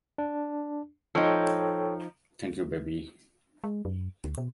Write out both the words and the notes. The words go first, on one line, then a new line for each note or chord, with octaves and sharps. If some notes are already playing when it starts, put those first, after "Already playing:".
Thank You Baby!
D4
F3 D#4 A4 C#5 G5
G#3
F#2
D2
B2